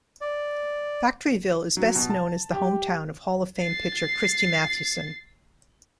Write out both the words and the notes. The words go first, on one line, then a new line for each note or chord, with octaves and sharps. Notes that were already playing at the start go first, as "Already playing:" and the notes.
Factoryville is best known as the hometown of Hall of Fame pitcher Christy Mathewson.
D5
F#3
B2
A5
G4
A6 C7